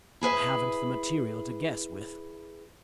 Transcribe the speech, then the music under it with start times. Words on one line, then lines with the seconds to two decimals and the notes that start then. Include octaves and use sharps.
I haven't the material to guess with.
0.21 E4 G#4 B4 E5